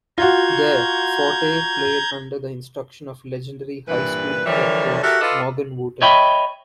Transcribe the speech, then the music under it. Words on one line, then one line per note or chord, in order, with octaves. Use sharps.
There, Forte played under the instruction of legendary high school prep coach Morgan Wootten.
F4 F#4 A#5 G6 G#6
G2 A#2 E3 B4
D3 E3 F3 G3 A#4 C#5
F#4 G4 A4 A#4 E5
F4 A4 B4 D5 D#5 F5
C#5 D#5 E5 G5 B5